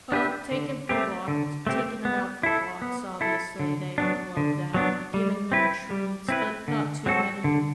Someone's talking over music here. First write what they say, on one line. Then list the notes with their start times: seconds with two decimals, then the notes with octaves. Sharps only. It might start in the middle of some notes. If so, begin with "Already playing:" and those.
Well, taking for walks taking 'em out for walks, obviously, they love that, giving them treats, but not too many,
0.12 D4 G4 B4 E5
0.51 D3
0.89 A3 C4 G4
1.28 D3
1.67 A3 C4 G4
2.05 B3
2.43 E4 A4
2.82 B3
3.21 E4 A4
3.59 D3
3.98 F#3 B3 D4
4.37 D3
4.74 F#3 B3 D4
5.14 G3
5.52 C4 E4 B4
5.90 G3
6.29 C4 E4 B4
6.68 D3
7.06 F#3 C4 F#4 A4
7.44 D3